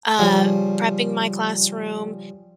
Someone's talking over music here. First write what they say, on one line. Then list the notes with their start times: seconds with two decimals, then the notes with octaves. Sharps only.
uh, prepping my classroom,
0.19 C#3 F3 G3